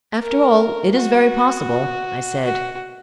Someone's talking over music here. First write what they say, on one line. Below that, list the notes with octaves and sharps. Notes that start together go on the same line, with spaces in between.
"After all it is very possible," I said.
A#4
F#4
F#4